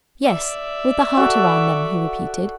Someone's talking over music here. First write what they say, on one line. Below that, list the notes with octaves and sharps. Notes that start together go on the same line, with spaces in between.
"Yes, with a heart around them," he repeated.
D5 E5
F#4 A4